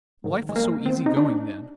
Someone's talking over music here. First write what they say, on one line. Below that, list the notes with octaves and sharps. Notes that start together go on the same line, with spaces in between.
Life was so easy-going then.
G#2 D#3
G#3
A#3
C4
D#4
D4